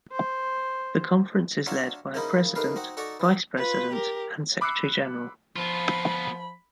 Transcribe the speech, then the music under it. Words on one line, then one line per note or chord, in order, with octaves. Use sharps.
The conference is led by a president, vice president, and secretary-general.
C5
D4 F4 F#4 C#5 E5 A#5
F3 G#3 A#3 C#4 D#4 E4
D#2 A3 D#4 A#4 B4 F5
C4 D#4 F#4
D#4 F#4 A4 D5 A#5 C#6
E3 C4
F4 B4
G4 A#4
B5 D6 E6 F#6 C7 C#7
F3 B3 F4 B5